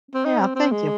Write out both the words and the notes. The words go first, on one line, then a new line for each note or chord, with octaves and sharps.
Yeah, thank you.
C4
D#4
C4
C4
G#3